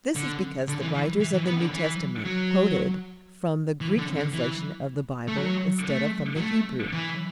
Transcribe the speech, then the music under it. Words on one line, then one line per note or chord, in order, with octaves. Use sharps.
This is because the writers of the New Testament quoted from the Greek translation of the Bible instead of from the Hebrew.
D3
D3
E3
E3
E3
E3
B3
D3
E3
F#3
E3
D3
D3
E3
A3
F#3
A3
F#3
A3
E3